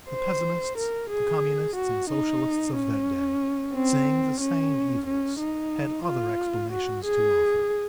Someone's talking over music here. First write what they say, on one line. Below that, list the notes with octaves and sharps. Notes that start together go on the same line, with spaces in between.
The pessimists--the communists, and socialists of that day--seeing the same evils, had other explanations to offer.
C5
A#4
G#4
F#4
D#4
C#4
C4
C#4
C#4
D#4
F4
F#4
G#4